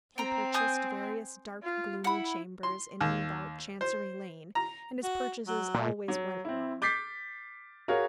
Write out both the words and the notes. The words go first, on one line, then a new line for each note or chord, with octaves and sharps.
He purchased various dark gloomy chambers in and about Chancery Lane, and his purchases always went wrong.
C4 G5 A#5
G#5 D#6 G6
F4
E4 F#5 B5
C6
D#2
C5
A#5
F#4
F#3
A#2
F#3
C4 E4
D6 G6 A6 B6 C7
F#4 G#4 A#4 C#5 F5